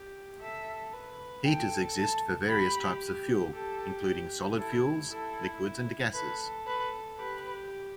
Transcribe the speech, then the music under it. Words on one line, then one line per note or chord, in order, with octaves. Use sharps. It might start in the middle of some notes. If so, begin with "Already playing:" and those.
Heaters exist for various types of fuel, including solid fuels, liquids, and gases.
Already playing: G4
A4 E5
B4
A4 G5
A5
G4 B5
G4 A4
E4 A4
E4 A4
A4 B4
B4
G4 B4